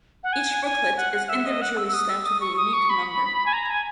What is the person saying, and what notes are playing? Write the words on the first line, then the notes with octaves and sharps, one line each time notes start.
Each booklet is individually stamped with a unique number.
F#5
G#5
G#5
F#5
F#5
E5
D#5
F#5
E6
E6
D#6
E6
D#6
C#6
D#6
C#6
B5
G#5
A#5
G#5